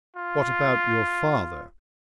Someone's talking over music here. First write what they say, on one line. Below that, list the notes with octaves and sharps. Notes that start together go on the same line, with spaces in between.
"What about your father?"
F4